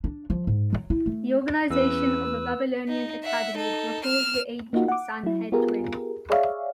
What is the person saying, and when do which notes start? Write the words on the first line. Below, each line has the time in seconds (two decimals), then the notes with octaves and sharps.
The organization of the Babylonian academies recalled the ancient Sanhedrin.
0.04 D4
0.30 F3
0.47 G#2
0.73 F#3
0.90 E4
1.06 A3
1.70 E2 C#4 B4 E6
2.88 D#4
3.24 E5 F#5
3.56 D#4 A4
4.05 F6 E7
4.73 A#3 D#4 F4 F#4
4.88 F#5 D6
5.24 F#3 E4
5.52 B3 F4 G4 G#4 A#4
6.30 G#4 C#5 D5 E5 F5